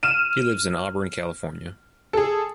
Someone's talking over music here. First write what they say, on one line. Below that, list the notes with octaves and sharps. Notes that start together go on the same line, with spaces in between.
He lives in Auburn, California.
F6 D#7 E7
G#4 A4